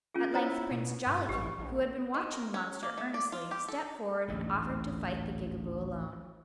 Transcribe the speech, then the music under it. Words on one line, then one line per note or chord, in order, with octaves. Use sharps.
At length Prince Jollikin, who had been watching the monster earnestly, stepped forward and offered to fight the Gigaboo alone.
C#4 F4 G#4
E4 C5 C#5 A#5
B2
G2 B4
A1 G4 B4
A#1
D#3
A#4
C#4
A#3
A3
D5
F4
G4
A4
A1 D2 G#2